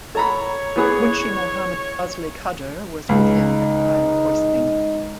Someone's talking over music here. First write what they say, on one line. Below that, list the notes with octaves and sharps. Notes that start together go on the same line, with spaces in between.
Munshi Mohammad Fazle Kader was with him at the time of hoisting.
A4 C#5 A#5 B5
E3 B3 G#4
C#2 D#4